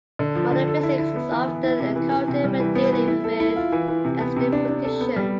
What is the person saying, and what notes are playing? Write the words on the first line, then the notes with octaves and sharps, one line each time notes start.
Modern physics is often encountered when dealing with extreme conditions.
D3
F3
D3
A4
E4
E4
B3
E3
B3
E4
C3
E3
E3
C3
G3
E3
B3
E3
E4
A4
E4
F4
E3
E3
C3
B3
C3
D4
D4
A4
B3
G3